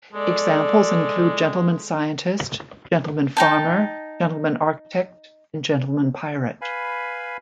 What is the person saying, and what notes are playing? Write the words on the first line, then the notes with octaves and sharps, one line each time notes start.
Examples include gentleman scientist, gentleman farmer, gentleman architect, and gentleman pirate.
G#3 A4 D5
D#4 G5 A5
B4 F5 G#5 B5